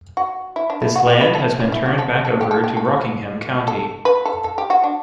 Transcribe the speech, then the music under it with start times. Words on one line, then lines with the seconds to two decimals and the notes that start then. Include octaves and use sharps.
This land has been turned back over to Rockingham County.
0.17 F#4
0.56 E4
0.70 D4
0.82 E4
0.96 F#4
1.08 G4
1.21 B4
1.35 A4
1.60 C#4
1.72 E4
1.86 F#4
1.99 A4
2.25 A4
2.41 G4
2.51 A4
2.64 G4
2.77 A4
3.68 A4
4.05 B4
4.25 A4
4.44 A4
4.58 G4
4.70 F#4
4.84 D4